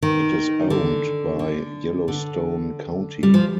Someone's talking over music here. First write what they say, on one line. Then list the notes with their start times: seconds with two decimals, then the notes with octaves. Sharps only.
It is owned by Yellowstone County.
0.02 D#3
0.70 D3
1.39 D3
2.08 D3
3.23 G3
3.34 F3